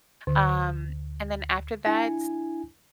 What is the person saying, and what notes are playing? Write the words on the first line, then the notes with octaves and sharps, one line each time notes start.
Um, and then after that,
D2 D3
D4 E4 G#5